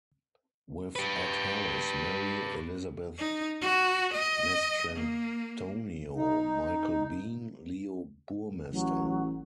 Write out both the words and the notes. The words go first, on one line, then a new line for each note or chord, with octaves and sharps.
With Ed Harris, Mary Elizabeth Mastrantonio, Michael Biehn, Leo Burmester.
G4 B4
D#4
F#4
D#5
A#3
D#4
A1 F#3